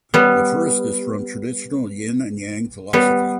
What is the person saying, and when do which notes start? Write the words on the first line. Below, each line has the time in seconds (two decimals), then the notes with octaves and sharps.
The first is from traditional Yin and Yang philosophy.
0.14 G3 B3
2.93 G3 B3